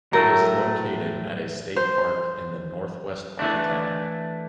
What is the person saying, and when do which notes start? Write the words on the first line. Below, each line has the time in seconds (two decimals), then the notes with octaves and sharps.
It is located at a state park in the northwest part of town.
0.12 A2 F#3 A3 A#4
1.76 C5
3.39 E3 A3 D4